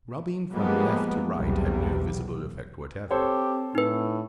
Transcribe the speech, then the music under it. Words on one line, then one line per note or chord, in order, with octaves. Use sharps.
Rubbing from left to right had no visible effect whatever.
F3 G3 G#3 A#3 B3
B1 E2 C3 G3
C4 G4 A4 C5 C#5
A2 D#4 B4